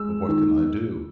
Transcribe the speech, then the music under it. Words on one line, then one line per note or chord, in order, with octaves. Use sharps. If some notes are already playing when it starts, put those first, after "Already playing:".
But what can I do?
Already playing: G#3 E6
D#3